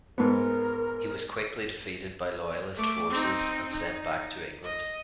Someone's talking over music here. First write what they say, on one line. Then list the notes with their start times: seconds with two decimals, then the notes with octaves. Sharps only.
He was quickly defeated by loyalist forces, and sent back to England.
0.18 G#2 B3 A#4
2.76 A3 D6
3.10 C4 D#4
3.72 D#4
4.63 D#5